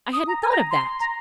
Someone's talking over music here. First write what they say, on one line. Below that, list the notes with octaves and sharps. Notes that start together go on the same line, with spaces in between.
I hadn't thought of that.
D#6
A#5
G#5
A#5
C6
A#5